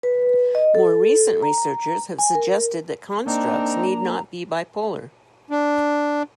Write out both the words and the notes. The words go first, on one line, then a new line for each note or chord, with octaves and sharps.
More recent researchers have suggested that constructs need not be bipolar.
B4
D#5
A4
A#5
G#5
A#4
A#3 C4 D4 D#4 A#5
D4